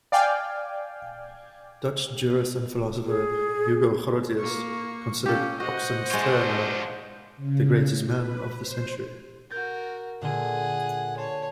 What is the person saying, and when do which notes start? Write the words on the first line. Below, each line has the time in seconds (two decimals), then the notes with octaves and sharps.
Dutch jurist and philosopher Hugo Grotius considered Oxenstierna "the greatest man of the century".
0.12 D5 F5 G5 G#5
3.07 G#4
4.39 A#3 C#6
5.26 C#4 G4 A4 F5
5.60 F#4 C5 D#5 F#5
6.10 G#3 D4 F4 C#5
7.37 C#3
7.84 A2
8.16 B4
8.61 C5
9.50 F#4 A#4 F6 G6 A6
10.21 A#2 D3 G#4 F#5
11.18 C#5 A5 C6